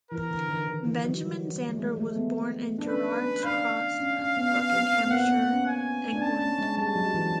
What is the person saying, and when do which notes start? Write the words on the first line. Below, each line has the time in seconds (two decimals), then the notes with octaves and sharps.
Benjamin Zander was born in Gerrards Cross, Buckinghamshire, England.
0.11 E3 A#4
0.30 D3
0.49 D#3
0.67 D#3
0.85 E3
1.04 F#3
1.22 G3
1.50 G3
1.69 G#3
1.78 A3
1.96 A3
2.15 B3
2.79 D4
2.89 C#4 B4
3.44 D4 F5
4.00 C#4
4.18 C#4
4.37 B3
4.55 B3
4.74 C4
4.92 C4
5.06 B3
5.10 A#3 F#5
5.25 B3
5.38 B3
5.53 C#4
5.67 G#5
6.12 D4
6.21 C#4 A5
6.40 C#4
6.58 G#3
6.77 G3 A5
6.95 F#3
7.14 E3